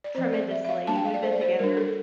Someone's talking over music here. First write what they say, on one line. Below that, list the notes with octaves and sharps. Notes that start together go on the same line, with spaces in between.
tremendously, we've been together
D5
F3 C4 C5
D5
E5
E5
F5
G3 A#3 D4 A5
G5
F5
D5
C5
D5
C5
G3 D4 A#4
A4